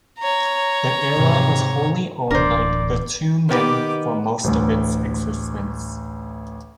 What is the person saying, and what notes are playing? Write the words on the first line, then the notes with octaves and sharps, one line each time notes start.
The airline was wholly owned by the two men for most of its existence.
C#5 A#5
G#2 C3
D1 A1 D4 A#4 C5 D5
D#3 B3 G4 B4 D6
A1 D2